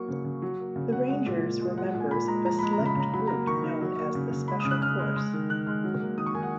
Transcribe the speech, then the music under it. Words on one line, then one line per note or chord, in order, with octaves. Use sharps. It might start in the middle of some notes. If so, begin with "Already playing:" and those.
The Rangers were members of a select group known as the Special Force.
Already playing: F#3 A#3 C#6
C#3
C#3
F#3
A#3
C#3
C#3 F#5
G#3 F#5
A#2
A#2
G#3
G#3 F#5
F#5
A#2
G#5
A#2 B5
G#3 A#5
F3 A#5
G#3 B5
A#5
C#3
B5
C#3 A#5
F#3 B5
A#3 A#5
D#3 C#6
D#3
F#3
A#3
C#3
C#3
G#3 B5
D#6
C#3
F#6
C#3 F6
G#3
G#3
D#3
D#3 F#6
G#3 F6
F#3
A#3
D#3 D#6
C#6
D#3 G#5
F#5